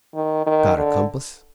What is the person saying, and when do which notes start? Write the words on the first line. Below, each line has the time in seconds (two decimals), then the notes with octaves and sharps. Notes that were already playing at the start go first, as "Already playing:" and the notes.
"Got a compass?"
0.15 D#3
0.46 D#3
0.77 D3